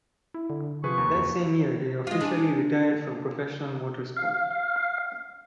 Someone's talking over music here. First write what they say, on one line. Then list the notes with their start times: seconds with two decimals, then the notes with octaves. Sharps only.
That same year he officially retired from professional motorsport.
0.34 E4
0.50 D3
0.84 C3 F3 G#4 B4 C#6
0.98 D#2
1.14 F2
2.07 G#3 F4
2.21 D4 G#4
4.17 F5